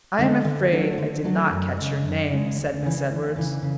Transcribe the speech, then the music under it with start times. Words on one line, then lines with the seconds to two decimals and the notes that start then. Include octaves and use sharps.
"I am afraid I did not catch your name," said Miss Edwards.
0.18 D3 G#3
0.45 D3
0.72 F#3 A3 D4 F#4
0.98 D3
1.24 F#3 A3 D4 F#4
1.50 F#2
1.77 C#3 G#3
2.03 F#2
2.30 C#3 G#3
2.56 D2
2.82 C#3 E3
3.09 D2
3.36 C#3 E3
3.62 C#3